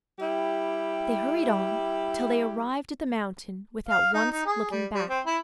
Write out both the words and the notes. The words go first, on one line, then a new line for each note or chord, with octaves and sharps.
They hurried on till they arrived at the mountain without once looking back.
G3 E4 G4
F5
D#4
D#4
G#4
G3
G3
C4
E4